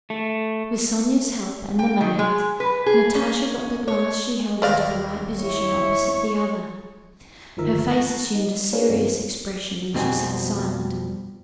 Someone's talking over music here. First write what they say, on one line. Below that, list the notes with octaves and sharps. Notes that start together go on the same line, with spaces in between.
With Sonya's help and the maid's, Natasha got the glass she held into the right position opposite the other; her face assumed a serious expression and she sat silent.
A3
G5
D#3
G#3
B4
G#4
C#4
C#5
D#2 A#4 B4 D5 F5
E4 C#5
G1 D#2 F3 D#4 A#4 E5
A5 A#5 C#6 F#6 A6 A#6
D#4
D4 F4 G#4 A#4 B4 C#5
G2 C3 D#3 F3 B3
F2 B2 G3 C4 F#4 G#5